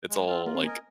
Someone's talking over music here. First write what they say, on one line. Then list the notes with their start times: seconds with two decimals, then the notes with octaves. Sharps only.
It's all, like,
0.10 G#3
0.28 C4 F4
0.46 A#3 F4
0.55 C4
0.63 A#3 A#4 D#5 G#5